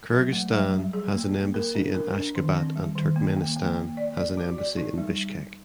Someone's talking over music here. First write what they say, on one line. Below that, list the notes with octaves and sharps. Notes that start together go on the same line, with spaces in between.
Kyrgyzstan has an embassy in Ashgabat and Turkmenistan has an embassy in Bishkek.
F#3
A3
F#3
G3
G#4
A#3
A#3
A#4
D4
A#4
D4
D#3
C4
G3
D#3
A#3
A#3
A#3
A#3
D5
D5
F#4
D5
D#4
G3